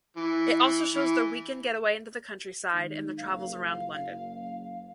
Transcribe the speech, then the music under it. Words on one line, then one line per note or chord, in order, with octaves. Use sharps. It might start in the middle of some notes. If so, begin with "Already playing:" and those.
It also shows their weekend getaway into the countryside, and their travels around London.
E3
E3
D#3 G#3 D#4
F#1 F5